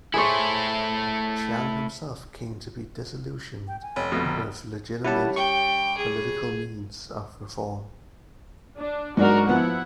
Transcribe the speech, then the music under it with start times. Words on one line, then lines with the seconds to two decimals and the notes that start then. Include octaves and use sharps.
Chiang himself came to be disillusioned with legitimate political means of reform.
0.14 A3 E4 G#4 C5 C#5
3.68 G5
3.82 G#5
3.96 F1 C#5
4.12 F2 B2 A3 C4
4.25 D3 A#5
5.04 G3 C#4 E4 F#5 A5
5.36 G5 C#6
5.97 G#4
8.78 D4
9.17 G#2 F#3 D4 F#4 A#4
9.49 F3 B3 E4 F#5